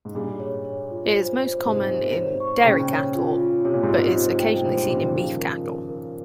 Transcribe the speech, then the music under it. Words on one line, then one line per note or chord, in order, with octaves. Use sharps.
It is most common in dairy cattle, but is occasionally seen in beef cattle.
G#2
G2 A#2 G#4
C#5
C#5
F4
C5
C5
G#2 C3 C5
C5
C#5
C#6
A#2 C#3 G5
C#5
F4
F4
C3 C#5
A#2
G#2 C3
F4
C5
G5
C3
G2 A#2 C5
G#2 C3
A#2 C#3 G4
C3 D#3
C#3 F3 A#4
A#4
A#4
A#4